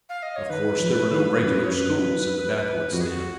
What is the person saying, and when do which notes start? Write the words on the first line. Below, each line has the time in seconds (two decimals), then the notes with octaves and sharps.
Of course, there were no regular schools in the backwoods then.
0.09 F5
0.23 D#5
0.36 C#5
0.50 D#3 B4
0.80 F3
1.10 D#3
1.41 F#2
1.63 C#5
1.71 F#2 B4
2.93 F2 F#4
3.01 G#4
3.09 F#4